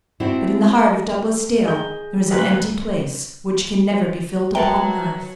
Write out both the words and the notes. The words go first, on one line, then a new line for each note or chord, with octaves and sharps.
But in the heart of Douglas Dale there is an empty place which can never be filled upon earth.
C4 D4 E4 F#4 G4 C5
G#4 D#5 G6 G7
D2 A#3 B4 D#5
F#3 A#4 B4 E5 F#5 G5 A5